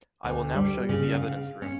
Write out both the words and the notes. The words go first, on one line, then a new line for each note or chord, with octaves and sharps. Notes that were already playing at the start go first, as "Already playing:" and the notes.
I will now show you the evidence room.
D2
G3
C#3
F5
C#4